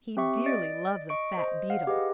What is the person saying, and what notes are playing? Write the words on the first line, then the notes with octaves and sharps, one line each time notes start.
He dearly loves a fat beetle.
C4 G4 E5 C#6
D5 D#5 A6 D7
D#5 C#6 D7
C5 D#5
F5 F#5
G4 G#4 B4 D#5